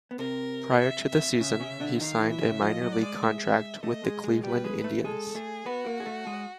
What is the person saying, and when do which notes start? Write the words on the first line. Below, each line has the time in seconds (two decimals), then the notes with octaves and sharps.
Prior to the season, he signed a minor league contract with the Cleveland Indians.
0.11 B3
0.19 C3 C4 A#4
0.80 E5
1.09 E5
1.40 C#3 C#4 E5
1.60 C#3 C#4
1.80 D3 D4
2.01 D#3 D#4 F5
2.21 E3 E4
2.32 E5
2.41 C#3 C#4
2.61 F3 F4 D#5
2.82 F#3 F#4
2.92 D5
3.02 G#3 G#4
3.23 E5
3.83 A3 A4 D#5
4.04 G#3 G#4
4.24 G#3 G#4
4.43 G3 G4 B4
4.64 G#3 G#4
4.84 A3 A4
5.05 G#3 G#4 A4
5.35 A3 G#4 A4
5.66 B3 F#4 B4
5.86 A#3 A#4
6.00 G#4
6.06 A3 A4
6.27 G#3 G#4